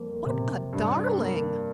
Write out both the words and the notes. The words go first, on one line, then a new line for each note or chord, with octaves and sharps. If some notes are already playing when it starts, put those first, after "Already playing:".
What a darling!'
Already playing: F2 G3 A#3
C3
G2
A#3